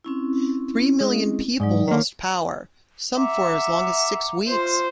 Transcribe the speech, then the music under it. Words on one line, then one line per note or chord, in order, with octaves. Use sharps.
Three million people lost power, some for as long as six weeks.
C4 C#4 E4
G#3
G#2 F#3 D#4 D5
D#3 A#3 C#5
E5 F#5 A#5 D6
F4 C5 C6